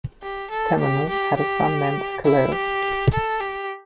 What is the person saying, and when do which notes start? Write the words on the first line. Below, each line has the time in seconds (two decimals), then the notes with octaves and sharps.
Temenus had a son named Archelaus.
0.23 G4
0.51 A4
0.80 G4
1.09 G4
1.37 G4
2.25 E4
2.53 G4
3.12 A4
3.40 G4